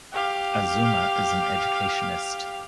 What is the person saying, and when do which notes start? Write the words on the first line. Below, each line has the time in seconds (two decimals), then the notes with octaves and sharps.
Azumah is an educationist.
0.13 G4 F5